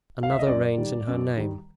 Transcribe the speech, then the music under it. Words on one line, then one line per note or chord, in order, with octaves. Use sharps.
Another reigns in her name.
F5
E5
D#5
F#2 D5
D#3 G3
F#2
D#3 G3